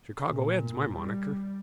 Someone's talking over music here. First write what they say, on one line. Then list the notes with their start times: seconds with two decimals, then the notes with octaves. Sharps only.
"Chicago Ed.'s my monaker."
0.24 A#2
0.94 G3